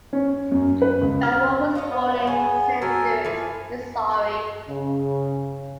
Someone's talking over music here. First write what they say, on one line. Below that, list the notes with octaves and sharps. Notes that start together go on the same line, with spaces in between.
Barone was born in Saint Louis, Missouri.
C#4
F#2
B4
C#2
F6
C#5 D#5 F5
B3
G#4 C#5 G#5
F#3 A4 A#4 G#5
E3 F3 G#5
C#3